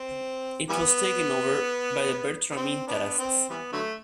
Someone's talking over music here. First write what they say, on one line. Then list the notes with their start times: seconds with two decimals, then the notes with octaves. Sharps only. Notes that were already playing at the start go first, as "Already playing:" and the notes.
It was taken over by the Bertram interests.
Already playing: C4
0.70 E3 G3 B3
2.51 B3
2.56 C4
2.87 B3 D4
3.19 C4
3.50 E3 G3 B3
3.72 D3 F#3 A3